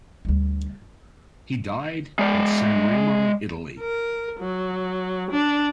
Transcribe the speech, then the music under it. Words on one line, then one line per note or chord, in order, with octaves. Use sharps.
He died at Sanremo, Italy.
D2 G3
G#3 D5
A#4
F#3
D4